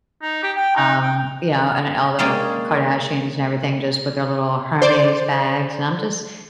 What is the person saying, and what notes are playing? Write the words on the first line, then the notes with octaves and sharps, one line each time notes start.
Um, you know, and all the Kardashians and everything just with their little Hermes bags and I'm just
D#4
G4
G5
D#4
G5
G#3 A#3 C#4 G#4 D5 G5
C5 D5